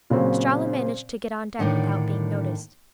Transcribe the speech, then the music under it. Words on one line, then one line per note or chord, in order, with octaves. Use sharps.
Estralla managed to get on deck without being noticed.
A#2 C#3 F#3 C4 F#4
A2 D3 D#3 D4 F#5